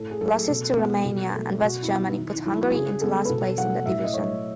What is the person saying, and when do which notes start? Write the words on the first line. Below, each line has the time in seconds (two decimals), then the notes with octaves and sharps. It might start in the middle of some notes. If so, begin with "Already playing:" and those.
Losses to Romania and West Germany put Hungary into last place in the division.
Already playing: A2 A4
0.11 G#4
0.21 F#3 A3 A4
0.49 B2
0.77 G#3 B3
1.05 B2
1.33 F#3 A3
1.61 B2 F#4
1.83 E4
1.89 F#3 B3 F#4
2.08 D#4
2.17 D#3 E4
2.35 D#4
2.46 F#3 A3 E4
2.61 F#4
2.73 C#3 G#4
3.01 G#3 B3 A4
3.25 B4
3.30 B2 A4
3.58 F#3 A3 F#5
3.86 A2 E5
4.04 D#5
4.14 F#3 A3 C#5